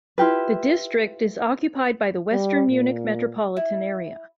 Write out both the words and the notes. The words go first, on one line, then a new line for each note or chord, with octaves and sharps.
The district is occupied by the western Munich metropolitan area.
E4 F4 G4 B4
G3
A#2
E4